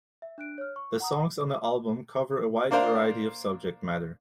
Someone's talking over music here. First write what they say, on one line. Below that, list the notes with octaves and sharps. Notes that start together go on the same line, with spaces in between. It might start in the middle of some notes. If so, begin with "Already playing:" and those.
The songs on the album cover a wide variety of subject matter.
E5
D4 F#6 D7
C#5 F6
C#6
F#5 A#5 D#6
A#3 D4 A#4 C5 F5